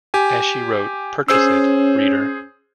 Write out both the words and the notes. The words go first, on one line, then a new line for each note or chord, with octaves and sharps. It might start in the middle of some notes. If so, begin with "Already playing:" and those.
As she wrote, Purchase it, reader.
G4 G#5
C#4 G#4 C5 E6